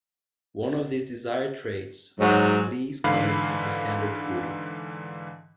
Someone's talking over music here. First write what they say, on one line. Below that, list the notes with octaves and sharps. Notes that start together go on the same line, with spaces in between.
One of these desired traits are the fleece coat of the Standard Poodle.
G#2 F#3
G#2 D3 E3 F5 B5 C7